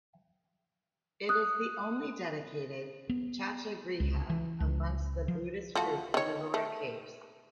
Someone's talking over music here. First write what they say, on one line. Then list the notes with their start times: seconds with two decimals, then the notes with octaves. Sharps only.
It is the only dedicated chaitya griha amongst the Buddhist group of Ellora caves.
1.29 D#6 F#6
3.10 B3
4.00 C#2
4.30 E3
4.60 C#2
5.28 F3
5.75 F3 A3 F#4
6.14 D#3 C#5
6.54 A3